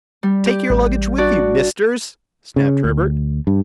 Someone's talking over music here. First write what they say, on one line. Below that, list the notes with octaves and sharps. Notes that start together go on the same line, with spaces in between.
"Take your luggage with you, Misters!" snapped Herbert.
G3
G4
A1
D4 F#4 D5
C#3
D2
G2